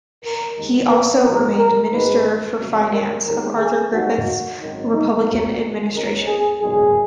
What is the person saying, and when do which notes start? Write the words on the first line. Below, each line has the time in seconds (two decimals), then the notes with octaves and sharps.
He also remained Minister for Finance of Arthur Griffith's republican administration.
0.24 A#4
0.57 D#2 D#3 G#3
0.90 B4
1.24 A#1 G#2 F3 A#4
1.58 A#4
1.92 G#1 G#2 D#3 G#3 B4
2.59 F2 C#3 F#3
2.92 A#4
3.25 D#2 D#3 G#3 A#4
3.59 G#4
3.93 D#2 D#3 G#3 F#4
4.61 G#1 F#2 D#3
4.94 D#4
5.27 B1 A#2 F#3 A#4
5.94 C#2 C#3 G#3 A#4
6.28 G#4
6.62 B1 A#2 G#3 G#4